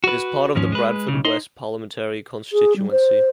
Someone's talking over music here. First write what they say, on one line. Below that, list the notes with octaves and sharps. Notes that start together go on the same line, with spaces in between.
It is part of the Bradford West parliamentary constituency.
F#4 B4
D#2 G#2 F3 C#4
G#3 B4
B1 C#3
D#4 C5 C6
G#4
G3
C5